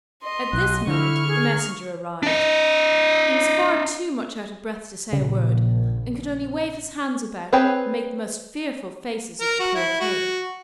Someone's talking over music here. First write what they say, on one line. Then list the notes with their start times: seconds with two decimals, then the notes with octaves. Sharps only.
At this moment the Messenger arrived: he was far too much out of breath to say a word, and could only wave his hands about, and make the most fearful faces at the poor King.
0.23 D#5 C6
0.53 B1 F#6
0.87 D3 E4 C#6 F6
1.27 G#4
2.23 D4 D#5
5.13 A#1 C#3
7.53 C4 G#4 B4 C#5 G5
9.41 A#4
9.59 F#4
9.75 E4
10.00 F#4